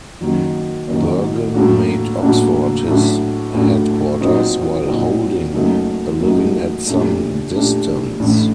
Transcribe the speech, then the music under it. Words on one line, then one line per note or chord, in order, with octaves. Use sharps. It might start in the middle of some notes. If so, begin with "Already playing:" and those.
Burgon made Oxford his headquarters, while holding a living at some distance.
F#1 F#2 D#3 F#3
F#1 F#2 D#3 F#3
A2 F#3 A#3 D4 F#4
A2 F#3 A#3 D4 F#4
A2 F#3 A3 D4
A2 F#3 A3 D4
A#2 F#3 C4 D#4
A#2 F#3 C4 D#4
F#1 F#2 F#3 A3 D#4
F#1 F#2 F#3 A3 D#4
A#2 A3 D4 G4
A#2 A3 D4 G4
A1 A2 A3 D4